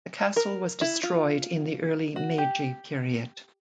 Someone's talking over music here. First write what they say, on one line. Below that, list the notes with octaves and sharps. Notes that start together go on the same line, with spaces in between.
The castle was destroyed in the early Meiji period.
A#4
E4
F4
F#4
G4